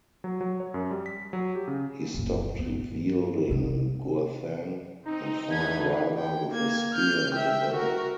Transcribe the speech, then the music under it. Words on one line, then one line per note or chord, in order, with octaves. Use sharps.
He stopped wielding Gurthang and fought rather with a spear and a bow.
F#3
F#3
C#5
F#2
G3
B6
F#3
G4
C#3
F#1 A#2
G2 B3
C3 D#4
C4 D#4
E2 A2 B4 G#6
G5
A#3 G#6
F6 G6
E5 G5
F#4 A#4